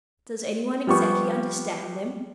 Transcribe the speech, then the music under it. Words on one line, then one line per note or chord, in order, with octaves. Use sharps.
Does any one exactly understand them?
F3 G3 B3 C#6